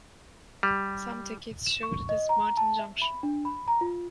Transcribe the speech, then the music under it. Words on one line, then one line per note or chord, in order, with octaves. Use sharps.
Some tickets showed it as Murton Junction.
G3
E7
C#6
D#5
A#5
A5
E5
B5
D4
B5
A#5
F4